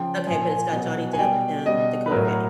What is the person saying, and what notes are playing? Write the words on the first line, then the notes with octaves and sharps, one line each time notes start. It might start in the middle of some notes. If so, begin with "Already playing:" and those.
Okay, but it's got Johnny Depp and Dakota Fanning.
Already playing: C#3 F3 G5
A#2 F3 G#5
G#5
B2 F#3
G#5
B2 G3 G5
B2 G3 D#5
B4
A2 F#3 A#4
A#4